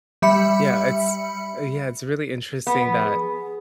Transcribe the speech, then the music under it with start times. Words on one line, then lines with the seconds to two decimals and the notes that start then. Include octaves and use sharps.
Yeah, it's uh, yeah, it's really interesting that
0.22 G3 E5 B5 C#7
2.67 B3
2.88 F3
3.03 G#4